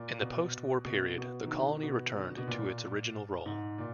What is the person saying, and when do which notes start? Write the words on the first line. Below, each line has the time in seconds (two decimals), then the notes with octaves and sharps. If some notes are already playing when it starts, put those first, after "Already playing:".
In the post war period the colony returned to its original role.
Already playing: A#2
0.21 B2
0.85 B2
1.18 B2
1.46 D#3
1.50 D3
1.83 B2
2.16 D3
2.37 B2
2.48 A#2
3.46 G#2
3.78 A#2